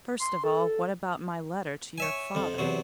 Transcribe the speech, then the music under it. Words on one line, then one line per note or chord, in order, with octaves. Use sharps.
'First of all, what about my letter to your father?
C6
A4
C#5 E5 G#5
F2 F3
E2 C3 F#3